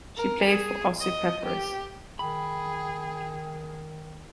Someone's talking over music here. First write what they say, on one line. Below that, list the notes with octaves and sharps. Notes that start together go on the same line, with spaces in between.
She played for Aussie Peppers.
A#4
G#4
D#5
G4
D#3 G#4 G5 B5